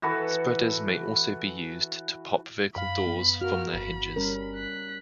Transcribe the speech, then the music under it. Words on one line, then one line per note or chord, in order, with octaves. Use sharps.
Spreaders may also be used to "pop" vehicle doors from their hinges.
E3 F#4 A4 B4
F#2 F5 B5
B3
F#4 A#4 F6
G1 B5
G3 C#4 A#4
F#6 B6